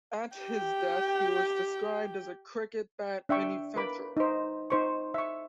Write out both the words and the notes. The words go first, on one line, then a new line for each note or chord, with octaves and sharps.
At his death he was described as a "cricket bat manufacturer".
G4 G5
D4 E5 G5 C#6
A#4 B4 B5 D6
D#4 C5
D#4 C5 C#6
E5 C#6